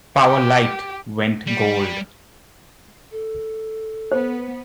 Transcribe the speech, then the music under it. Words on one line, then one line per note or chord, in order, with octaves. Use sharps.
"Powerlight" went Gold.
G4
G3
A4
B3 C5